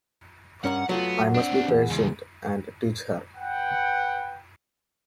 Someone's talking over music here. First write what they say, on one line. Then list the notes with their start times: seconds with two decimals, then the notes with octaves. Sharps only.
I must be patient and teach her.
0.64 G2 C#4 A#4 F#5
0.89 F#3 A3 B3 F4 F#5
1.34 C4 D4
1.68 E2
1.90 C#2
3.37 B4 F#5 G5